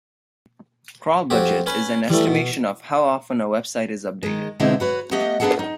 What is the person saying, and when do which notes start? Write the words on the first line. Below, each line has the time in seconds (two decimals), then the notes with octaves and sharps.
Crawl budget is an estimation of how often a website is updated.
1.30 F2 F#4 G4
1.67 C#4 B4
2.10 E3 G3 A3
2.27 B2
4.23 D#3 G#3
4.60 B2 D3 G#3 C4 D#4 E4
4.80 F#4 B4 C#5
5.11 A3 B3 G4 D#5 F#5
5.40 A#3 B3 D4 G#4 A4 F#5
5.59 D#4